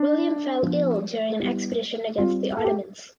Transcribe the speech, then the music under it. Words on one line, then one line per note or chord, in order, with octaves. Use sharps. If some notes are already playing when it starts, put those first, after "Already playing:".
William fell ill during an expedition against the Ottomans.
Already playing: D4
F3 B3 D4
G3 B3 E4 G4
G3 C4 F4 G4
A4
G4